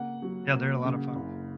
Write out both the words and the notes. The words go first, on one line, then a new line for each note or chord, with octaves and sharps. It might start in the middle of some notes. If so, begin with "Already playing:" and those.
Yeah, they're a lot of fun.
Already playing: C#3 A#3 F#5
F#3
A#3
C#3
F#1